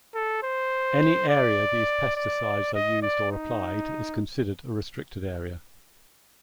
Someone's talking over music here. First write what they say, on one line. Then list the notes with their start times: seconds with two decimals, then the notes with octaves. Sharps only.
Any area these pesticides are used or applied is considered a restricted area.
0.15 A4
0.43 C5
1.30 D5
2.16 D5
2.75 D#5
3.03 D5
3.32 D#4